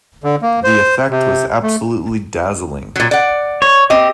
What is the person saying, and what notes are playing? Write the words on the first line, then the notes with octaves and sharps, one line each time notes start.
The effect was absolutely dazzling.
D3
A#3
C5
C3
A3
A#2 F#3
D5 F#5
C#5
C4 G4 D#5